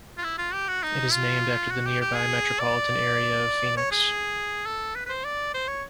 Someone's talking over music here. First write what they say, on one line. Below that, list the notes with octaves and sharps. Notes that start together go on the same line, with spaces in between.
It is named after the nearby metropolitan area of Phoenix.
F4
E4
F4
G4
F#4
D#4
F4
F#4
G4
G4
G#4
D5
C#5
G#4
A4
B4
B4
C5
D5
C5
C#5